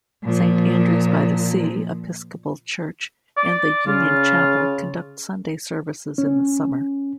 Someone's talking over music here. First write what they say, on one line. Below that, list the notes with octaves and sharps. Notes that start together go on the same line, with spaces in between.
Saint Andrew's-by-the-Sea Episcopal Church and the Union Chapel conduct Sunday services in the summer.
A#2 F3
D5
C#3 F4
C#4